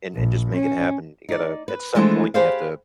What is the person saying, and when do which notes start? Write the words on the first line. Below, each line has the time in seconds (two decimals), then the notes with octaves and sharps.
and and just make it happen. You gotta at some point, you have to
0.15 A#1
0.54 C#4
1.29 D#4 D5
1.68 B4
1.95 E3 F3 G#3 A3 B3 D4
2.34 G4 G#4 B4 C5 D5 F5